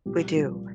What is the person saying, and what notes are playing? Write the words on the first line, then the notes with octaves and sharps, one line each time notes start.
we do,
C2 A#2 F3 G4
C2 A#2 F3